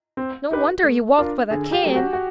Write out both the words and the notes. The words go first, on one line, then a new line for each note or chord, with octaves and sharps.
No wonder he walked with a cane!
C4
D#4 G4 B4
A3
D4 F4 A#4
D3 G#4
G4
F#3 A3
F#4
F#4